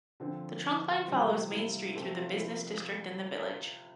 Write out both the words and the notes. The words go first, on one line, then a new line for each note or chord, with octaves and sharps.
The trunkline follows Main Street through the business district in the village.
D3 F3 C4
C3 E3 G3 C4 F4
E4
C3 F3 A3 C4 F4
F4
E4